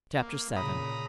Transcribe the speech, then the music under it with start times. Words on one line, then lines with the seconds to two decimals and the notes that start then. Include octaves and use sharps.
Chapter VII.
0.22 A#3
0.56 A#2 C#3 A#5 B5 D#6